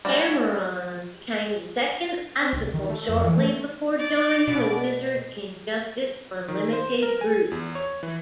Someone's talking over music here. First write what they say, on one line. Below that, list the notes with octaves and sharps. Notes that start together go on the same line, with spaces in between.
Cameron became the second Icicle shortly before joining the Wizard's Injustice Unlimited group.
G3 A3 D4 F#4
C4
C2
D#3
A3
F2
E3
A3
D5
B2
D#3
C5
A#4
G#5
E2
C#5
E3